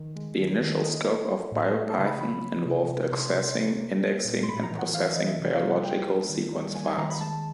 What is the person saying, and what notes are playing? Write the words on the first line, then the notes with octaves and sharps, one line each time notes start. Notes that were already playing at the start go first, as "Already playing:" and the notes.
The initial scope of Biopython involved accessing, indexing and processing biological sequence files.
Already playing: D#3
G#3
D#3
D#3
A#3 D#5
A#3
A#3
A2
A3 E5
A5
C#3
B5
F#3 B5
F#3
C3
C3
C3 C6
C3
A#3
A#3
G3
A#2
C6
A2 B5
A#5
E3
F#5
E3 F5
E5
E3 D#5
E5
C3
F5
G3
F#5
A#3 G5
G3
D#3
G3
A#3 G#5
G#5
D#3 A#5
B5
G#3 A5